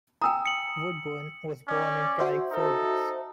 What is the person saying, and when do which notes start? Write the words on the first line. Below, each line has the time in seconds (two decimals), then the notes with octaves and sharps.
Woodburne was born in Carrickfergus.
0.22 G5 G#5 A#5 D#6 E6
0.45 C#7 F#7
1.68 C#4 D5
2.19 F#4 C5 E5
2.51 D#4 A4